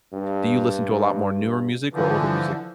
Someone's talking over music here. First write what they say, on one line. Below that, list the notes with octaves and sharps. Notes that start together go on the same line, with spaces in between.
Do you listen to a lot more newer music or older music?
G2
D3 E3 F3